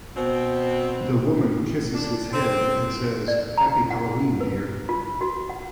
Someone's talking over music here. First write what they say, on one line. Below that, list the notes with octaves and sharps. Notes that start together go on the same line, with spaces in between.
The woman kisses his head and says, Happy Halloween dear.
B2 C4
D4
C4
D5
A#5
F#5
B4
F4
F#4
F#5